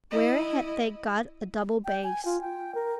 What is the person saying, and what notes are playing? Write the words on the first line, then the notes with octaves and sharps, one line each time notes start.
Where had they got a double bass?
E4 D#5
G5
G#5
F4
G5
A#4